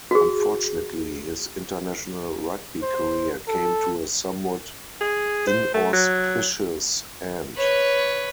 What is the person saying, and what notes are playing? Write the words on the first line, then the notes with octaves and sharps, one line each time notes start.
Unfortunately his International rugby career came to a somewhat inauspicious end.
F#4 G#4
C5
A4
G#4
C5
A3
F#3
B4 C#5